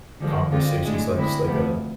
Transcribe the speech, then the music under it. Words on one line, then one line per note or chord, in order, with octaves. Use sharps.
conversation, so a just like a
D3 F3 G#3
D3 G#3 C4 F4
A2 G#3 D4
D3 G#3 C4 E4
D2 C3 F3 B3